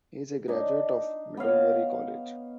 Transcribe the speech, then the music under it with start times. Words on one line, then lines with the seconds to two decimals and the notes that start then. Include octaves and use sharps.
He is a graduate of Middlebury College.
0.48 D4 D#4
1.37 B3 C#5 F5